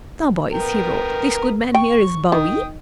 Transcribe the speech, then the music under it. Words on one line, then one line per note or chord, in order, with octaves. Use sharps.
"Now boys," he roared, "this good man here is Bowie."
B3 A#4 G5
G5 C#6
D#3 G5 D#6